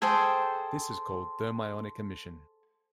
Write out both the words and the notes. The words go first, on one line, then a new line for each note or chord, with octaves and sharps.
This is called thermionic emission.
G#4 A4 C5 G5